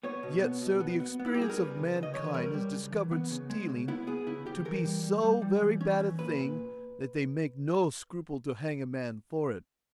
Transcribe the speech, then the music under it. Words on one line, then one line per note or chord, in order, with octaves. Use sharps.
Yet, Sir, the experience of mankind has discovered stealing to be so very bad a thing, that they make no scruple to hang a man for it.
B3 C#5
B2
B3
B2
B3
B3
B3
E4
G4
G3 G#4
A#4
G3 B4
C#3
C#3
D#5
E3 C#5
B4
G3 A#4
G3
C#3
E3
B3
C#3
G#3
C#3
B3 E4
B3 G#4
C#3 E4
C#3 G4
E3 A#4
G3
G3
G3
G3
E3
C#4
E3
A#2 B4
A#2